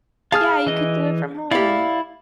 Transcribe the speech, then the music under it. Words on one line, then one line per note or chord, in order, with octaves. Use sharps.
Yeah, you could do it from home.
G#4 F5 A5 F6
E3 D#5
E4 G4 D5 F5